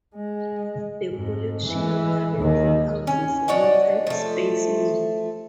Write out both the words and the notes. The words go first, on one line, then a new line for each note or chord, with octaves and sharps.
The collection currently houses one type specimen.
G#3
F2 G#2
E3 G#3
D#2 D#3
C#4
D4 C#5 D#5 F#5
F3 A3